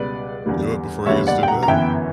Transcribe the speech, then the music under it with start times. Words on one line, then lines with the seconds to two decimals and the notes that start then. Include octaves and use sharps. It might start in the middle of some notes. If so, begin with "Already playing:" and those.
Do it before he gets too big.
Already playing: C#2 B2 G3 B4 D5
0.46 E2 D3 G3 A#3
1.06 F#1 E2 D3 G3 B3 C#5 E5
1.27 D5 F#5
1.43 G5
1.48 F#5 A#5
1.63 A#5
1.68 G1 F#2 E3 B3 E5 G5